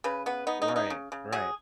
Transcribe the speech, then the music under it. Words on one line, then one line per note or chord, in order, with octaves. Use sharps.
Right, right,
C#3 B4
B3 B4
B3 D#4
D#4
C#3
D#4
C#3
C#3
F#3 G#4